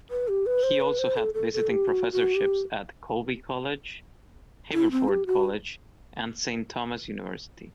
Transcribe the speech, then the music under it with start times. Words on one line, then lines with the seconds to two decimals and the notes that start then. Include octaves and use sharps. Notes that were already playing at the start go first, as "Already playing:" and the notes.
He also had visiting professorships at Colby College, Haverford College and Saint Thomas University.
0.10 B4
0.28 G4
0.46 B4
0.63 C5
0.81 B4
0.99 C5
1.17 A4
1.34 A4
1.53 A4
1.70 G4
1.88 F#4
2.13 F#4
2.35 G4
4.74 E4
4.91 C4
5.08 G4
5.26 F#4